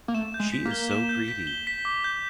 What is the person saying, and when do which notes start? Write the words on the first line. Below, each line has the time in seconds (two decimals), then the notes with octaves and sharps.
She is so greedy!
0.08 A#3
0.14 A3 E7
0.34 G6
0.40 G#3
0.52 B6
0.65 A#3
0.71 G7
0.91 E7
1.09 G6
1.28 B6
1.47 G7
1.67 B6
1.85 D6
2.04 G6